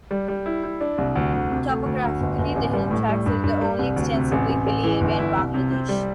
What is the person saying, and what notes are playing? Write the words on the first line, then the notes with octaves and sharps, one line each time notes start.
Topographically, the Hill Tracts are the only extensively hilly area in Bangladesh.
G3
G3
E4
E4
D4
C2
D2
D2
C3
A3
D2
D2
G1
G1
A1
G3
A2
G3
G2
G2
G3
C2
D2
C3
A1
A1
A1
E3
G1
E4
C2
C3
C4
G3